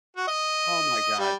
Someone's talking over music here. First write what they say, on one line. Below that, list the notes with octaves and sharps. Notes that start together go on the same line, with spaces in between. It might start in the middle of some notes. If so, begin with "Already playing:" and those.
Oh my god.
F#4
D#5
G3